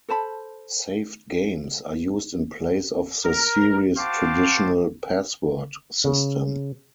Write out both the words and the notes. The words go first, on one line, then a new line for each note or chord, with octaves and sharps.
Saved games are used in place of the series' traditional password system.
A4 C5 A5 B5
A#4
F#4 C5 F5 G5 A5 D6
C#3